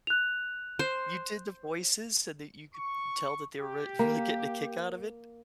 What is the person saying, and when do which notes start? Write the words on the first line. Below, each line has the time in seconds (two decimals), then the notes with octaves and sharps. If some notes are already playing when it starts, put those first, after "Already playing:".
You did the voices so that you could tell that they were re really getting a kick out of it?
0.07 F#6 F7
0.79 C5
2.75 C#6
3.60 G4
3.99 A#3